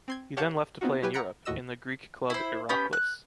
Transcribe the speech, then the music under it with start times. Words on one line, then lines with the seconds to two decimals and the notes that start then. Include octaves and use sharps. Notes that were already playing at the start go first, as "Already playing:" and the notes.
He then left to play in Europe, in the Greek club Iraklis.
0.08 C4 C6 G#6
0.37 G4 C#5 F5 F#5 A5 G6
0.81 B3 C4 D#4 F4 F#4
1.02 F#3 E4 G4 B4 G#5
1.14 F#5 A#5 B5 F#6 C#7 D7
1.45 D#2 A2 F#4 D#5 E6 E7
2.30 E4 C5
2.69 B3 C#4 G4
2.93 F#6